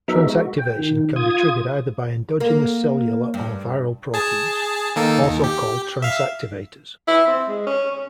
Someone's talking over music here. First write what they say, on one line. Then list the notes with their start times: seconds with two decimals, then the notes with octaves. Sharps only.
Transactivation can be triggered either by endogenous cellular or viral proteins, also called transactivators.
0.08 F#3 B3 D#4 A#4 E5
0.23 G#3 F#4
0.58 G5
0.79 D#3
1.16 F4 D#6 G#6
2.40 A#3
3.34 G2
4.14 G#4 A5
4.96 D#3 A#3 A4
5.23 D#2
5.44 G4
6.02 E5 F5
7.07 E4
7.27 C4
7.48 G#3
7.66 C#4
7.91 C#4